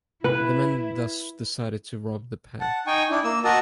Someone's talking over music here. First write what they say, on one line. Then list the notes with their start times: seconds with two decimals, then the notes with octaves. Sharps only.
The men thus decided to rob the pair.
0.24 E4 B4
2.60 F#5 A5
2.87 D#4 G5 G#5 C#6
3.10 D4 E4
3.24 A#3 E6
3.45 F#4 A#4 D#5 A5 D#6 E6